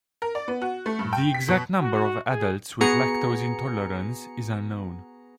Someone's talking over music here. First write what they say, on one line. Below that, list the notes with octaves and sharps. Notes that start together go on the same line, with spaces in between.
The exact number of adults with lactose intolerance is unknown.
A#4
D5
B3
F#4
A3
G2
G5
B6
B2
F#4
G#4
B3 F#4 G#4 A#5 C#7